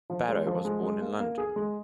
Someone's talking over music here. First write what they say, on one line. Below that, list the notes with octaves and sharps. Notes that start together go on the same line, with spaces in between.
Barrow was born in London.
F3
G#3
F3
G#3
G#3
A#3
A#3
G#4
G#3